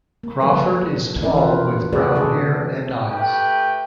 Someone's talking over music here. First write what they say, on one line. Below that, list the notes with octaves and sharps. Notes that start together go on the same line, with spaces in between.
Crawford is tall with brown hair and eyes.
A#3
F3 G3 A4 B4 C#5
E3 C#4 E4 A4 A#4 D5
F4 B4 C5
C3 A3 F#4 G#4 B4 D5
D4 G#4 A4
A3 G4 B4 G5